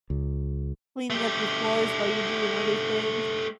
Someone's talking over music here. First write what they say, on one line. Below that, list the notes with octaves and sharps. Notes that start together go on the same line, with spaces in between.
cleaning up your floors while you're doing other things.
C#2
A3 G4